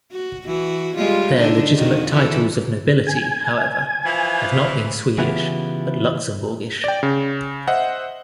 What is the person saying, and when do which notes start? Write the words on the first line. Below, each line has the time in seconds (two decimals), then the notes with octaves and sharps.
Their legitimate titles of nobility, however, have not been Swedish but Luxembourgish.
0.12 F#4
0.46 E3 F#4
0.97 G3 G#3 F4
1.37 D3 D4 D#4
1.75 F2 D#3 F#4
2.13 E3 A4
3.07 G#5 G#6
4.05 E3 F3
5.18 C#3 E3 B3 E4 F4 G4
6.84 D5 G5
7.03 C#3
7.68 C5 D#5 E5 F#5